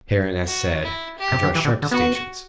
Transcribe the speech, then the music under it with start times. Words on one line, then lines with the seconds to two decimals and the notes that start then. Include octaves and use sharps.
Herein, as said, I draw sharp distinctions.
0.47 F#4
0.83 E4
1.19 G4
1.32 C3
1.43 D3
1.55 E3
1.65 D3
1.82 D3
1.91 B3 F#4